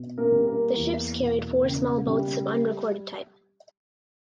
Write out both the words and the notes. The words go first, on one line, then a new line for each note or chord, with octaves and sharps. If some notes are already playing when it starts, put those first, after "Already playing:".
The ships carried four small boats of unrecorded type.
Already playing: B2
A#3 A#4
G3
A#3 A#4
E2
B2
C#3
G3